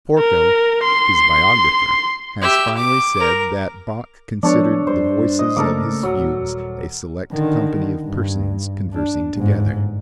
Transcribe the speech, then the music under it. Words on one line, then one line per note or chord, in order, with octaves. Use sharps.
Forkel, his biographer, has finely said that Bach considered the voices of his fugues a select company of persons conversing together.
A#4
C6
G4 E5
D6
A#4
F3 G#3 B3 D4 A4 C#5
G2 C5
D#5
C#3 A3 A#3 A4 A#4 D6
D#1 F#3
D3 D#3
G2
D4
G1 G#2